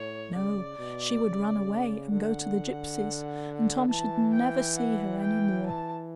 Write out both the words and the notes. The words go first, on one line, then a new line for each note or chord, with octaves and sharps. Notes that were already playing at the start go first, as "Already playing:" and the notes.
No! she would run away and go to the gypsies, and Tom should never see her any more.
Already playing: A2 C#5
C#3 D5
B2
C#3
D3 F#5
E3 A5
G5
F#5
G5
A5